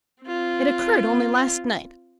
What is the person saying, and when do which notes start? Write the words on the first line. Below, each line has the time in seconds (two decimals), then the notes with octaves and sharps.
It occurred only last night.
0.23 C4 F4